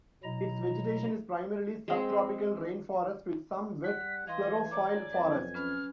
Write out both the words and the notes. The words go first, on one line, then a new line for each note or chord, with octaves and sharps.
Its vegetation is primarily sub-tropical rain forest with some wet sclerophyll forest.
B2 F#3 E4 D#5 A#5
G#3 C4
G3 F#5 B6
E3 D#5 F5 G#5 C6
C#5 D5 A#5 D6
F2 F#3 B4
C#4 B4 B5 F6